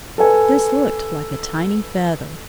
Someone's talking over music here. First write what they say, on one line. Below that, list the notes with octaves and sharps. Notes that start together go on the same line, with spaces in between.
This looked like a tiny feather.
A4 B4 G#5